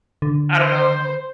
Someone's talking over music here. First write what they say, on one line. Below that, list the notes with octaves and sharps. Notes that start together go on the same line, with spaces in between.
I don't know,
D3
C5